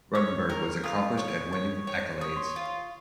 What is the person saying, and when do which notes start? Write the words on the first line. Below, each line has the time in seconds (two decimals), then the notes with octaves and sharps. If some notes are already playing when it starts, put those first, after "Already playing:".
Ruttenberg was accomplished at winning accolades.
0.14 C#5 C#6
0.31 C#6
0.49 A#4 C#6
0.66 C#6
0.84 F4 D#6
1.17 C#5
1.53 C#5
1.87 C#5
2.21 C#5 D#6
2.29 C#6
2.36 C6
2.43 C#6
2.56 F4